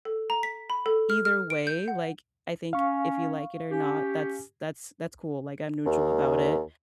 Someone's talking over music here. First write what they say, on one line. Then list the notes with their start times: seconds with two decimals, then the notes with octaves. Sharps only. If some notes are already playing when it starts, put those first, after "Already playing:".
either way, like, I think if you like it or not, that's that's that's cool. Like, I'm neutral about it.
0.05 A4
0.30 A#5
0.43 B6
0.70 B5
0.86 A4
1.10 F6
1.25 F6
1.50 D7
1.67 G6
1.88 F#5
2.73 C#4 F5 C#6
3.70 C#4 G4
5.86 D#2